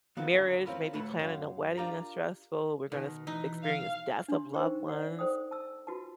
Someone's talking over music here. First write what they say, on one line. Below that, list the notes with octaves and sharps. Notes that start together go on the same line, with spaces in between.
marriage, maybe planning a wedding is stressful, we're gonna s experience death of loved ones,
F3 B3 C4 D#4 F4
C#2 F#2 D3
C4 C#4 E4 F4 A#4 B4
D2 A2 A3 A4 B4 E5
F#2 F5
D4 F4 G4 A#4 A#5
B2 D#3
E3 D#4
F5
D4 C6
D#4 A#4 C5 G5 C#6
D5 F#5
D#4 A4 C5 G5 D#6
A5 E6
F4 F#4 B4 A5